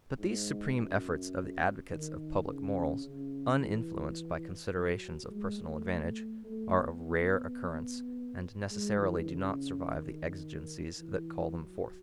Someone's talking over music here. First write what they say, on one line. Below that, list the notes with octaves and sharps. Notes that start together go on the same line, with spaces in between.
But these supreme efforts of the advocates of public morals, uninfluenced by considerations of personal advantage, are of rare occurrence, and necessarily do not survive the exigencies that call them forth.
G#2
F#2
D#3
C#3
C#3
E3
F#3
G#3
A3
A3
B3
B3
G#3
E3
C#3
D#3
E3
F#3